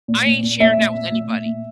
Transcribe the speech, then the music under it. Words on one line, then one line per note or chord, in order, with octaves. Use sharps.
I ain't sharing that with anybody.
A#2
A#2
A#2
A#2 E5
A#2
A#2
A#2
A#2
A#2